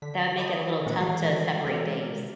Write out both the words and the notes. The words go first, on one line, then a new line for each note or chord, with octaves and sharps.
that would make it a little tough to separate things.
D3 B6
G4 C#5 D#5 B5 D#6
A#2 E3 G#3 A#3 D4 F#4
E3 G3 G#3 F#4 A4 C7
E3 G#3 A4 A#4 D5